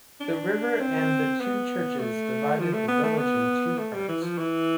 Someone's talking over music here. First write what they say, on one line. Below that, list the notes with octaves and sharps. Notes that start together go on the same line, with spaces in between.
The river and the two churches divided the village in two parts.
D4
C4
B3
A3
F3
A3
B3
A3
B3
A3
G3
E3
F3
E3